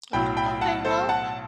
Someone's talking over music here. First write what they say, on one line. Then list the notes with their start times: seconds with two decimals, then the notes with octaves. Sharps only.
M k okay, well,
0.13 B1 A2 F#3 G5 B5
0.37 G5 B5
0.61 F#5 A5
0.85 A4 C5
1.09 F#5 A5